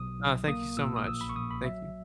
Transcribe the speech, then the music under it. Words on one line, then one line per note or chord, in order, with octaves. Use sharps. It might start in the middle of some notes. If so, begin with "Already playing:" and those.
Uh, thank you so much, thank you.
Already playing: B1 B2 F#3 D#6
B1
A#3 D#6
A#2 E6
D#6
A#1 E6
B5
C#6
A#1 D#6
B5
F#3 E5